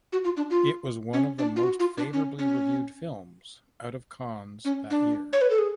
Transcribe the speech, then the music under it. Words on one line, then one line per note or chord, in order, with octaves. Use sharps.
It was one of the most favourably reviewed films out of Cannes that year.
F#4
F4
D4
F4
C#4
D4
F4
F#4
F4
D4
C#4
C#4
C#4
D4
C#5
B4
A4
G#4